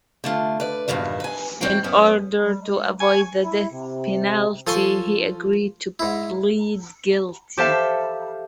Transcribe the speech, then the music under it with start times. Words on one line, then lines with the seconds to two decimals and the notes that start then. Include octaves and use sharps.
In order to avoid the death penalty, he agreed to plead guilty.
0.24 D3 A3 F4
0.60 B4 D5
0.88 E2 G2 A#2 D#3 F#4
1.20 B4 G#5
1.61 F#2 C4 D#4 F#4 G5
1.84 F#2 B3 C#4
2.45 G3
2.61 G#3
3.00 G#5 C#6
3.44 E4
3.71 C3
4.67 F3 A4 G#5 C6 C#6
5.99 G#2 E4
7.57 G4 A4 C5 E5 F5 A5